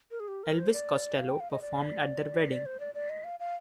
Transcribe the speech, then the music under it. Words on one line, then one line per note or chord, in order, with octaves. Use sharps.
Elvis Costello performed at their wedding.
A#4
G#4
G4
A#4
C5
D5
F5
G5
F5
D#5
D5
D5
C5
D5
D5
D#5
F5
F5